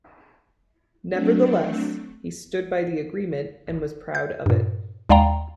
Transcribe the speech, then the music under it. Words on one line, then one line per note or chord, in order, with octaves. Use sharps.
Nevertheless, he stood by the agreement and was proud of it.
F#3 A3 C4 D4
G6
G2 A#2
D#2 G#3 D5 F5 G5 A#5